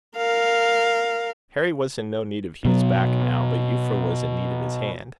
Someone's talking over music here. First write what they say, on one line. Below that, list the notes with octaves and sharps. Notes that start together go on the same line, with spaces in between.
Harry was in no need of Hugh's back now, but Euphra was in need of his hand.
A#4 F5
B2 F#3